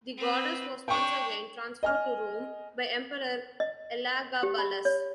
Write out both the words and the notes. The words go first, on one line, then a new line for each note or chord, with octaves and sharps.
The goddess was once again transferred to Rome by emperor Elagabalus.
C4 B4
D4 C#5 G5 C#6
D#5 G#5 F6
D#5
G4
B5
C#5